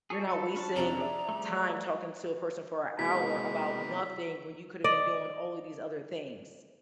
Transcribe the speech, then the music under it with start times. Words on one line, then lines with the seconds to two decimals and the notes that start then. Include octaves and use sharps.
you're not wasting time talking to a person for a hour about nothing when you could have been doing all of these other things,
0.10 G#4 A4 C#5
0.27 F#4 A4 B5 C#7
0.56 C#4 D4 A5
0.76 F2 C3 A#5
0.98 G#4 D5 E5
1.29 F3 G3 A3
2.99 C3 G#3 A#3 B3 E4 F#4 B6
4.84 D5 D#5